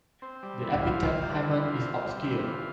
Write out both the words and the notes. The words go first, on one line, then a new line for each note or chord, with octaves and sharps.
The epithet Hammon is obscure.
C4
G3
E3
F4
C4
G3
E3
F4
C4
G3
E3
F4